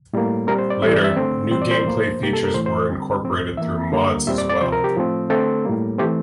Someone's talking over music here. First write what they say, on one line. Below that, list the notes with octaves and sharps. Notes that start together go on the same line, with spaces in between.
Later, new game play features were incorporated through mods as well.
A2 G3 A#3
A#2 G3 C4 A#4
C5
D5
E3 G3 C4 E5
D5
E5
D3 A3 C4
E3 G3 C4 C5
D5
C5
A2 F3 A#3
C3 G3 A#3 G4
A4
A#4
A2 E3 A3 C5
C5
D3 G3 C4
A2 F3 C4
E3 A#3 E5
D3 G3 A#3
A#2 G3 C4 E5
D5
D5
C3 F3 C4 C5
A#4
G4
A2 F3 A3 C4
D3 A3 C4 A4
A2 G3 A#3
E3 A3 C4 G4